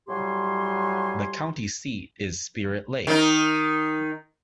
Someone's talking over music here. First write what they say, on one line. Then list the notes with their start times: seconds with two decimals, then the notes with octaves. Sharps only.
The county seat is Spirit Lake.
0.08 A2 F#3 G3 G4 G#5 C6
3.07 D#3 D#4